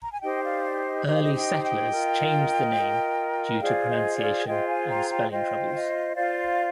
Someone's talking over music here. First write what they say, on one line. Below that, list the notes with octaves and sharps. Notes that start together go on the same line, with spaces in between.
Early settlers changed the name due to pronunciation and spelling troubles.
A#5
G#5
D#4 G4 C5 D#5 G5
D5 F5
D5
D#5
D#4 G4 C5 D#5
F5
D#5
D#5 G5
D#5 G5
F4 A#4
F4 A#4
F4 G#4 C5 D5 F5
D#5
D5 F5
F4 G#4 C5 D#5 G5
F5 G#5
G5 A#5
G5 A#5
F4 C5 D#5 G5
D#5
F4 C5 D5 F5